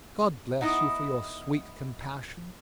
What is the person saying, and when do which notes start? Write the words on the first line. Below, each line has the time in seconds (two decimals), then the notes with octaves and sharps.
"God bless you for your sweet compassion!"
0.61 B3 D#4 E4 D#5